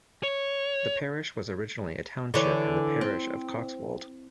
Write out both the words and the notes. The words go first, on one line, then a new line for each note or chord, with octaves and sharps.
The parish was originally a township in the parish of Coxwold.
C#5
D3 E3 C#5
C4